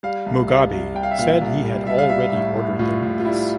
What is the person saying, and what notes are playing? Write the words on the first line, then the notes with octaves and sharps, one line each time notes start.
Mugabe said he had already ordered their release.
G3 F5
C2
C2 F5
C2
C2 G5
F5
E5
A#2 F5
C2
G3
G3 E5
F5
G3 E5
F5
A2 E5
A2
A2 F4
A2
F4
G3 E4